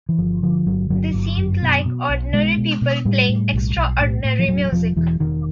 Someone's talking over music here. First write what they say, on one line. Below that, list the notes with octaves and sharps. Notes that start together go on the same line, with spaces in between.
They seemed like ordinary people playing extraordinary music.
E3
G1 F3
D3 F3
G1 F#3
G1 F#3
G1
F#2
B2
B2
B1
B2 G#3
B2
B2
A2 G3
A2
B1
B1
A2
A2
F3
E1 F#3
E1 F3
E1 E3
E1 D#3